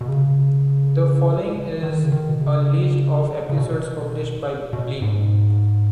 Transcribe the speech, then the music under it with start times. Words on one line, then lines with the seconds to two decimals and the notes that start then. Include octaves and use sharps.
The following is a list of episodes published by Blim.
0.01 B2
0.08 C#3
1.83 D#3
2.03 C#3
2.12 D#3
2.29 B2
2.40 C#3
3.49 C#3
3.57 B2
4.73 B2
5.02 G#2